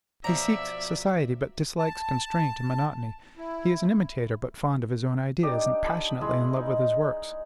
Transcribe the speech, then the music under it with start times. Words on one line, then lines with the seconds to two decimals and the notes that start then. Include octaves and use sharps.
He seeks society, but dislikes constraint and monotony; he is an imitator, but fond of his own ideas, and passionately in love with his works.
0.24 B2 F3 F#3 D5 E5 A#5
1.79 A5
3.37 E4
5.43 D4 D#4 G4
5.84 A5 B5 D#6
6.21 G#3 E4
6.56 D#4